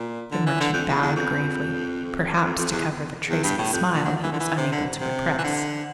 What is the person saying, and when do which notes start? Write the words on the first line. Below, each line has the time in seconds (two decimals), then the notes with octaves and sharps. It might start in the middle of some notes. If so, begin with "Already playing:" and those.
The merchant bowed gravely, perhaps to cover the trace of a smile he was unable to repress.
Already playing: A#2
0.31 D3
0.46 E3
0.60 D3
0.73 F2
0.89 E2
1.02 E2
1.16 F2
2.45 F2
2.58 F2
2.72 E2
3.29 E2
3.44 G2
3.58 A2
3.73 F2
3.94 A#2
4.05 D3
4.23 E3
4.33 D3
4.40 E3
4.57 C3
4.72 D3
5.01 C3
5.39 E3
5.44 D3